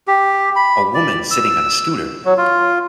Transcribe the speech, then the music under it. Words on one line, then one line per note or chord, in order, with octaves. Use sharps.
A woman sitting on a scooter.
G4
B5
D5
E6
F#3
F4